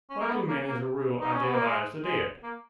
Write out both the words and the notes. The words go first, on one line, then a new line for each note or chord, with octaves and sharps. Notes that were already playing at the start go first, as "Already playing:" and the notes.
Why do men as a rule idealize the dead?
C#4
A#3
B3
A#3
A#3
D#4
C#4
B3
A#3
G#3
G#3
A#3